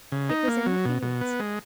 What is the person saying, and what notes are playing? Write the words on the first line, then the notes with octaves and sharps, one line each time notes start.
It was in the fields.
C#3
D#4
A#3
F#3
B2
B2
B3
G#3